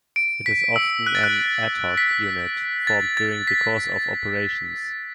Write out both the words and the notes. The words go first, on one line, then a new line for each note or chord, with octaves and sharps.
It is often an "ad hoc" unit, formed during the course of operations.
D7
B6
E6
F#6
A6
F#6
B6
A6
A6
B6